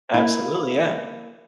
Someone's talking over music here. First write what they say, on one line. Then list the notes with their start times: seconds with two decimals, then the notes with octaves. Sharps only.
Absolutely, yeah.
0.14 A#3 E4